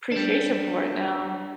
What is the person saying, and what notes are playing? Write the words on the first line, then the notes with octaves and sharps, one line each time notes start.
appreciation for it now.
G3 D4